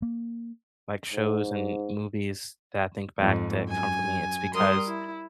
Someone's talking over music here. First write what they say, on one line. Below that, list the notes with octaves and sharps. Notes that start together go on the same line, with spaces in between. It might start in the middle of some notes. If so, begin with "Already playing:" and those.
like, shows and movies that I think back that comfort me, it's because
A#3
G#2
F2 G#2
F#2 G#5
G3 A#4 C6 D#6
E4